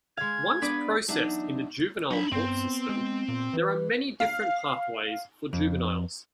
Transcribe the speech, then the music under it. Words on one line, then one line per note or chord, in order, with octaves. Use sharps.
Once processed in the juvenile court system there are many different pathways for juveniles.
G#3 F5 G#6
B3 D4 B4
E2 F#3 D4 D#4 E5
F#3 D4 D#4 B5
G2 B3 C4
G#3
A#2
E3 B4
F5
F2